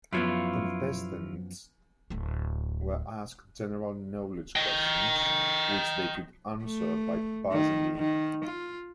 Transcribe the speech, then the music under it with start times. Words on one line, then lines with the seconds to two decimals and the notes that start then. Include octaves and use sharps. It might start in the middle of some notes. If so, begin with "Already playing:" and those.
Contestants were asked general knowledge questions, which they could answer by buzzing in.
0.13 F#2 F3 B3 E4 F4 C#5
2.10 D1 A3
4.56 D#5 G5
6.64 A3
7.52 D#3
7.97 D#3
8.45 F4